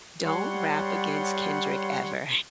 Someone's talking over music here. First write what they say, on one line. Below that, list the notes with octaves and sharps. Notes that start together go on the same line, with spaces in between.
Don't Rap Against Kendrick Ever.
G3 C#5 F#5 C6